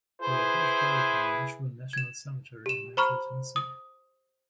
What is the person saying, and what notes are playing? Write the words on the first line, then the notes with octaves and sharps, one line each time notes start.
They are both buried in the Nashville National Cemetery in Nashville, Tennessee.
E4 G#4 B4 C5
G#6 E7
G4 E7
C5 A#5 B5 C#6 F6
D#6